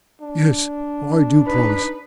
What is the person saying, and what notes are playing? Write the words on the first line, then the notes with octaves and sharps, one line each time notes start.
Yes, I do promise.
D4
D#4 B4